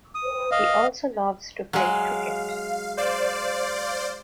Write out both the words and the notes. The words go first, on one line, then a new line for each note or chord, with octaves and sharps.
He also loves to play cricket.
D#6
D#5 F5
F#3 G#3 F5
C5 D5 F5